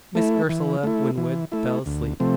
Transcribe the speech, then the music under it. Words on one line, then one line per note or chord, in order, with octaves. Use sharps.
Miss Ursula Winwood fell asleep.
A3 E4
E3
A3 E4
E3
A3 E4
D2
C3 F3 A3 C4